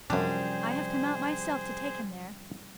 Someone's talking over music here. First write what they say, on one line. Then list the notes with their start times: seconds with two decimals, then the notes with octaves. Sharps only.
I have come out myself to take him there.
0.10 F#2 C3 F3 G3 C#4 D4 G#4 C5